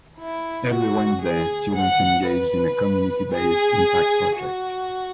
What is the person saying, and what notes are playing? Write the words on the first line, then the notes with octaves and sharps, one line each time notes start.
Every Wednesday, students engage in a 'community based' impact project.
E4
F#4
G#4
F#5
B4
G#4
F#4